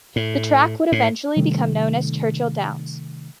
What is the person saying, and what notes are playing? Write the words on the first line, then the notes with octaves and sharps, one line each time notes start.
The track would eventually become known as Churchill Downs.
A2
A2
C3 D#3 G3 A3